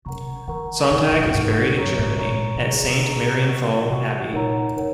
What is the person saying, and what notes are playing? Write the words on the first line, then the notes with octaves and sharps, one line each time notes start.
Sonntag is buried in Germany at Saint Marienthal Abbey.
C#3 A#4 F#5 A#5 C#6
C#3
D#3 A#4 F#5 A#5 C#6
C#3 D#4 A#4 F#5 C#6
A#2
F#2
G#2 D#4 A#4 F#5 C#6
F#2 C#5 A#5 C#6
G#2
A#2 C#5 A#5 C#6
C#3
D#3 G#4 D#5 A#5 C#6
C#3
G#4 D#5 A#5 C#6
F#4 D#5 F#5 C#6
C#3 F#4 D#5 F#5 C#6
A#2 D#4 A#4 C#5 F#5 A#5
C#3 D#4 A#4 C#5 F#5